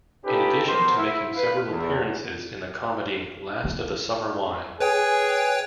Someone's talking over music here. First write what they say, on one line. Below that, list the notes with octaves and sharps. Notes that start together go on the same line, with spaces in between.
In addition to making several appearances in the comedy Last of the Summer Wine.
C#4 D#4 F4 G4 A4 B4
B2 B3 A#4 C5
E4
B4 F5
E2
G#4 B4 C#5 G5